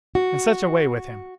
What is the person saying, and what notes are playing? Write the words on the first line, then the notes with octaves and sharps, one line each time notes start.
And such a way with him!
F#4